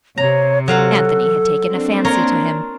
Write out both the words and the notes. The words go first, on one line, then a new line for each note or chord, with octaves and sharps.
Anthony had taken a fancy to him.
C3 C#5 A#5
F#3 A4 F5 F#5
A#3 C4 D4
F4 A#4 C#5